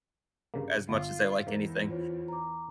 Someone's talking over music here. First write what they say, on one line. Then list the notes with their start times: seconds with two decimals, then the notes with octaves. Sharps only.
as much as they like anything.
0.54 G2 C#3 A#3
0.89 G1 F4
1.47 E2 G#2 A#3
1.89 F4 C5 C#5
2.28 A#5 D6